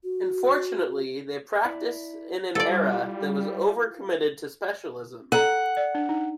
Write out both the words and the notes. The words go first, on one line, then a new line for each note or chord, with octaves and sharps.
Unfortunately, they practiced in an era that was over-committed to specialism.
F#4
E4 D5
G3 E4 F4 A4 D5 F#5
A4 F#5 A#5
D5
D4
D#4